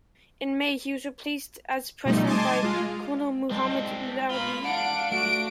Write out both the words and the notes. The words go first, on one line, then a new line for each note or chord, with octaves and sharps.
In May, he was replaced as president by Colonel Muhammad Louly.
B2 F3 G3 A3 D#4
D#5 G#5 A5 C6 D6
G#3 F4
G#3 C4 D4
A#3 F4 B5
D4 F5 F#5 D7
A3 F#4 D7